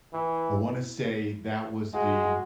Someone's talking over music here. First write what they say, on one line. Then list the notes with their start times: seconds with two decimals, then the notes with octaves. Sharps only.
I wanna say that was the,
0.13 E3 E4
1.94 G#3 F#4
2.23 F#4